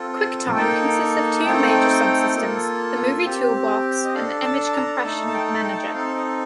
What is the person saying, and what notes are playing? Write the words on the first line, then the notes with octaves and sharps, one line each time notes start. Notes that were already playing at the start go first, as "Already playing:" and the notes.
QuickTime consists of two major subsystems: the Movie Toolbox and the Image Compression Manager.
Already playing: C4 F4 A4
A#3 D#4 A4 G5
A3 C4 D#4 A4 G5
A#3 F4 A4
C4 G4
D#5
D4 A4 F5
A5
A5
A#5
A3 D#4 A4 A5
A5
G5
G5
A5
G5
C4 D#4 A4 F5
D#5